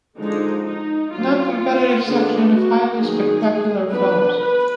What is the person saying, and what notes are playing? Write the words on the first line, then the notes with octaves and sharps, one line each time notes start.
Non-competitive section of highly spectacular films.
D3 F3 G#3 D4 D#4
D#4
F#3 B3 D4 F4
D3 G#3 B3 D4
F#4
D#3 F#3 B3 G#4
F3 B3 D4 B4
B4